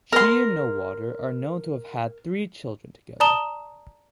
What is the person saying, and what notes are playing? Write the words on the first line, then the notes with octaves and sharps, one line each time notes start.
She and No Water are known to have had three children together.
A#4 C6
D5 A5 A#5 D#6 E7 G7